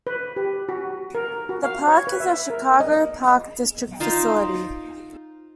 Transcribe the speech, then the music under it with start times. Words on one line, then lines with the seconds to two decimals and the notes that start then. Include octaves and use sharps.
The park is a Chicago Park District facility.
0.07 B4
0.36 G4
0.69 F#4
1.15 A#4
1.49 F#4
1.63 F5
1.88 C#5
2.07 B4
2.20 E5
2.50 A#4
2.80 D#5
4.00 D#4 F4 C5 F5